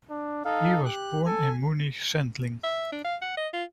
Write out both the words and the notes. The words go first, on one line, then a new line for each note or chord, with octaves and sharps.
He was born in Munich-Sendling.
D4
D#4 A4 F5
G4 F#6
A4 G#5
E5
D4
F5
F#5
D#5
F4